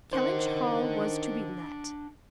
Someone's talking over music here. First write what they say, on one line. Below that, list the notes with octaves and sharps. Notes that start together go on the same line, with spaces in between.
Kellynch Hall was to be let.
D#3 D4 C5 F#5